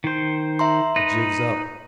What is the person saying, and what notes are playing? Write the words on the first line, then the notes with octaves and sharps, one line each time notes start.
The jig's up.
D#3 C5
E5 A#5 C6
D#4 B4 A#6